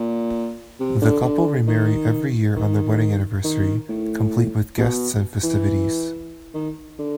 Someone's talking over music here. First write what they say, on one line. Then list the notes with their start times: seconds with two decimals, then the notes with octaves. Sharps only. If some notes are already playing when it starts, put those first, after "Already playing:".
The couple remarry every year on their wedding anniversary, complete with guests and festivities.
Already playing: A#2
0.80 C3
1.02 D3
1.24 D3
1.67 D#3
2.57 D#3
3.44 D#3
3.89 A2
4.77 B2
5.43 E3
6.54 D#3
6.99 D3